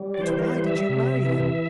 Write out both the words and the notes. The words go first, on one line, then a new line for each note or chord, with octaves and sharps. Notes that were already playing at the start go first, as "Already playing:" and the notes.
"But why did you marry him?"
Already playing: G3
D5
E3 C5
A#4
C5
G3
E5
C3
E3